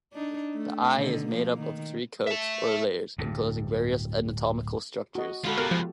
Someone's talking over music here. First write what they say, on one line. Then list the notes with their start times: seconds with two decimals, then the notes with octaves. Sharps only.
The eye is made up of three coats, or layers, enclosing various anatomical structures.
0.13 D4 D#4
0.54 A3
0.95 B2 D3 D#3
1.28 F3 A#3
1.58 D#3
2.28 E5 A5
3.18 D1 G2
5.15 F#4 D#5
5.45 G#3 F4 F#4 A4 B4
5.58 B3 G4 A4 A#4
5.71 F3